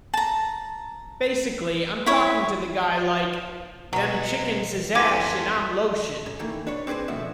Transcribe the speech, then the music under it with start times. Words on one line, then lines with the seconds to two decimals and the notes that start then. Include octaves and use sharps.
Basically I'm talking to the guy like, 'Them chickens is ash and I'm lotion.
0.14 A5 A#5
2.06 E4 C#5 E5
3.93 B1 F#3 G#3 B3
4.95 E3 F4 A4 C6 D6 G#6 B6 D#7
6.26 F#2
6.39 D#3 E3 A3 A#3
6.67 D4 B4 C#5
6.87 C4 D4 G#4 B4 C5
7.08 C#2 B2 F3 A3 F#4 E5